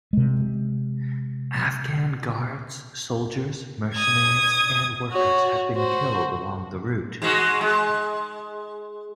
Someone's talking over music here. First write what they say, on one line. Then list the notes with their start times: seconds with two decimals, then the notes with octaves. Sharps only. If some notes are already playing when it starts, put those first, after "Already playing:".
Afghan guards, soldiers, mercenaries, and workers have been killed along the route.
0.13 C3 G#3
3.95 D#6 G#6
5.11 F#4 C#5
5.76 F#4 C5
7.22 G#2 G#3 F#4
7.61 G#3